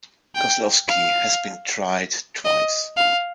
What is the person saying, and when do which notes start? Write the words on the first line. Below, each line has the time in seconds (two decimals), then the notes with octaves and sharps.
Kozlowski has been tried twice.
0.35 G5
0.88 F5
2.45 D#5
2.97 F5